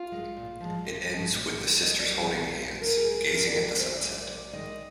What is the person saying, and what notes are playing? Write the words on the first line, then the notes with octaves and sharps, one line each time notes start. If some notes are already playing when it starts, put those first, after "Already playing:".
It ends with the sisters holding hands, gazing at the sunset.
Already playing: F4
G#3
A#2
F3 G#3
C3
F3 G#3
A#2
G#3
D3 D#5
D5
G3
A#2
G#3
D3 A#4
G#4
G#3
A#4
C3 A#4
D5
D#3 G#3
D5
D3 C5
D5
G#3
D5
C3 D5
D#3 G#3 D#5